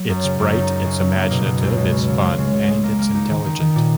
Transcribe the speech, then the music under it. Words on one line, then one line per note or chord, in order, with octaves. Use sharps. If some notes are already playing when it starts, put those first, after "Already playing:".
It's bright, it's imaginative, it's fun, and it's intelligent.
Already playing: F#3
F#2
C#3
F#2
D#4
D#4
C#3
F#3
A#3
B2
B2
C#2
B2
C#3
C#3
G#3
C#3
C#3
G#3
A#3
A#3
D#4
D#3
D#3
D#3
A#2